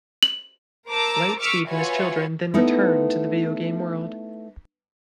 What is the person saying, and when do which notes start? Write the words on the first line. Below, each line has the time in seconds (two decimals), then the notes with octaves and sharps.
Lightspeed and his children then return to the video game world.
0.23 F#7
0.88 A#4 C5 A5 A#5 D6 E6
1.39 C#6 D6 E6 F6 B6
1.69 F4 F#4 B4 C#5 E5 G#5
2.54 A3 B3 D#4 E4